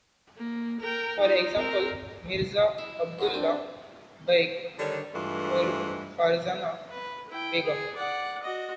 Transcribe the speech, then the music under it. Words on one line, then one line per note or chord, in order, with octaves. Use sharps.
For example: Mirza Abdullah Baig or Farzana Begum.
A#3
A#4 G5
D#4 F4
C4 A#4
E4
F#2 A2 D#3 F#5
C4 D4
D3 D#3 G3 D4 C#5
G2 E3 G#3 A3 F4
B4
E4 G5
G#4
D5 F#5
F#4 D#5